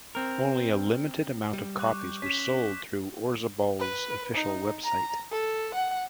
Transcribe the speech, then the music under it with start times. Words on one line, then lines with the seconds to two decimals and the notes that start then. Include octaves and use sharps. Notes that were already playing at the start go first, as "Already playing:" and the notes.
Only a limited amount of copies were sold through Orzabal's official website.
0.15 C4 A#4
1.53 G3
1.79 C#6 D6 F#6
1.97 C#6 G6
2.22 C#4 B6 E7
3.79 B4
4.34 D#4
4.84 A#5
5.31 A4
5.74 F#5